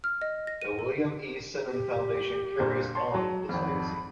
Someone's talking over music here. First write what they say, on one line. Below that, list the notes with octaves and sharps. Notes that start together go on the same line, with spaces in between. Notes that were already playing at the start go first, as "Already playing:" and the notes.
The William E. Simon Foundation carries on this legacy.
F6
D#5
A#6
D#7
A4
G4
G1 A#2 C5
C#5 A5 C6
F#3 A5
G#1 F2 B5